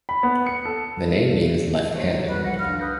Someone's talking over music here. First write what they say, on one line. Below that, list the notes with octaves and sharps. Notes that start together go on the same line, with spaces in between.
The name means "left-handed".
B5
B3
C#7
A4
G#3 G4 C5 C#5
F#3 A3 D#4
F2 G#2 G3 F#4 B4
C2 F3 F#5 A#6
D3 F4 F6
B4 D#6 G6 A#6